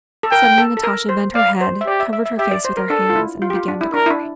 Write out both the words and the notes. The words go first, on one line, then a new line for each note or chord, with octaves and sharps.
Suddenly Natasha bent her head, covered her face with her hands, and began to cry.
A4
A#4 G5
A4
A4
A#4
C5
D5 F5
C5
E5
G4 D5
E5
E5
E5
G4 E5
D5
C5
A#4
D4 A4
F4
E4
F4
G4
F4
D4
E4
D4 A#4
E4
D4